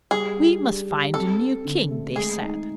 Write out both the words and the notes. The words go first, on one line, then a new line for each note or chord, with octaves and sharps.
"We must find a new king," they said.
G3 G#4
G4
D4
G4
C4 A4
C4
D3
A3
G#3 G#4
D#4